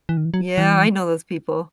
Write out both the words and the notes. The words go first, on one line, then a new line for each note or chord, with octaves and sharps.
Yeah, I know those people.
E3
D#3
E3
F#3
E3